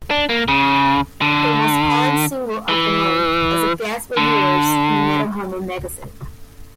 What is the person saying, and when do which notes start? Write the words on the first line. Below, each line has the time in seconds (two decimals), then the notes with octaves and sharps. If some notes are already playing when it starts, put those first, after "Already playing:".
It was Korn's "Single of The Month" as guest reviewers in Metal Hammer magazine.
0.11 D4
0.29 A#3
0.48 C#3
1.22 D3
2.68 E3
4.17 D3